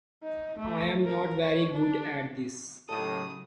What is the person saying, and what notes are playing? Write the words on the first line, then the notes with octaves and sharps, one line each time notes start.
I'm not very good at this.
D#4
A3
A#4
C#5
D4
D#2 A2 C#3 F#3 A4 D#6